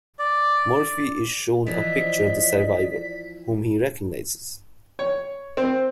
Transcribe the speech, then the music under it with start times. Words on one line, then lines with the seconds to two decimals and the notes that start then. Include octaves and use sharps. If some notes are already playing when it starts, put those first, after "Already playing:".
Murphy is shown a picture of the survivor, whom he recognizes.
0.19 D5
1.66 E3 F3 D5 D#5 B6
4.99 C#5
5.57 C4